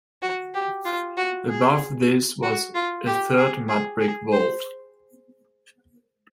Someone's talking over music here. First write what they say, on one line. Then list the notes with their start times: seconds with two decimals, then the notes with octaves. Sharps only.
Above this was a third mudbrick vault.
0.22 F#4
0.54 G4
0.85 F4
1.17 F#4
1.48 G#4
2.43 F#4
2.75 F4
3.06 G4
3.38 G#4
3.69 G#4
4.00 G#4
4.32 C5